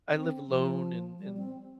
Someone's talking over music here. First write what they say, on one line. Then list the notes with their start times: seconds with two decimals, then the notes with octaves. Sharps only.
I live alone and and
0.12 C4
0.48 F3
1.19 G3
1.37 C4